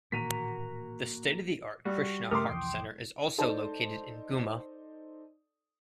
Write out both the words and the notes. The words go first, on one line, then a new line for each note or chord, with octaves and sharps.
The state-of-the-art Krishna Heart Center is also located in Ghuma.
A1 A#2 D#3 A#3 F#4 A#5 B6 D#7
G3 F#4
G2 C#3 A3 G4 A#4 C6 D6 D#6
C2 F2 E3 G5
D#4 A4 C5 D5 A5